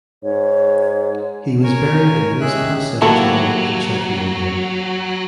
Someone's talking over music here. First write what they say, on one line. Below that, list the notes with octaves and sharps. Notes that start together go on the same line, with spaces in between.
He was buried in Mizpah Cemetery in Chattanooga.
G#2 C#5
A#4 C#5 G#5
A#3
G#3 C#4 G4 G#4 E5 F#6
D#3 F#3 A#3 E4 F#4 G4 A4